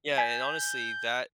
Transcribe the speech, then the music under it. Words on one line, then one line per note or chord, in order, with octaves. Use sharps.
Yeah, and, honestly, that
G#5 G6 G#6 B6